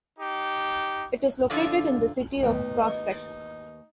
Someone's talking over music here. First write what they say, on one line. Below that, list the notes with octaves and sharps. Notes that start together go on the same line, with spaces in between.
It is located in the City of Prospect.
D#4 G4
D3 F3 F4 D5 E5 G#5
D#2 A3 B3 D#4 B4 C#5 D#5 G5